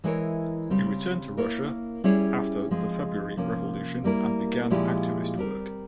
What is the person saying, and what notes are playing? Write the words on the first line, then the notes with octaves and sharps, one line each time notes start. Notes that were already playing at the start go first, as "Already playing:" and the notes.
He returned to Russia after the February Revolution and began activist work.
E3 G#3 E4 A#4 C#5
C#3 G3 C4
A#3 E4 A#4 C#5
G3 C#4 E4 G#4 C#5
F3 G#3 C4
C3 F3 A#3 C#4
G3 A#3 E4 A#4
A#2 F3 G#3 E4 G4
G3 C4 G4 A#4